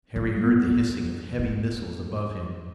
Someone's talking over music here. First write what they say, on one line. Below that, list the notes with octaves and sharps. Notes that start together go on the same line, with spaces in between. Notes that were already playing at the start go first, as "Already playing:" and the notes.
Harry heard the hissing of heavy missiles above him.
F3
B3
B3
B3